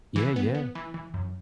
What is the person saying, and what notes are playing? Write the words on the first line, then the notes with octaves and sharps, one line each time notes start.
Yeah, yeah.
E3
B3
B3
E3
E3
F#2